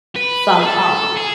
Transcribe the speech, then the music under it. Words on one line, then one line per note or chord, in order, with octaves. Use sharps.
some, um,
B4
G#4
A4
G#4